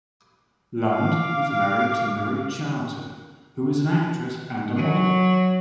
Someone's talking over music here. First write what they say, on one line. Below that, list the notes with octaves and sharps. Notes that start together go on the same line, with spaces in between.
Lund was married to Marie Charton, who was an actress and a model.
F5 D6
F#3